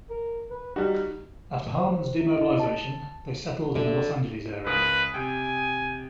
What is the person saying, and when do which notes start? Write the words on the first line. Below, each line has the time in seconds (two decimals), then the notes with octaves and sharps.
After Harmon's demobilization, they settled in the Los Angeles area.
0.10 A#4
0.51 B4
0.76 G3 D#4 F#4
1.78 C5
2.20 E4
2.36 D#5
2.60 A5
3.75 D3
4.66 C#2 A#4 B4 D#6
5.14 C3 G5 G#5